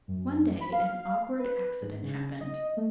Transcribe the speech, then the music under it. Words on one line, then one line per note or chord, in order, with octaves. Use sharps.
One day an awkward accident happened.
F#2
B5
F5
B4
G#2
C#3
D#5
A3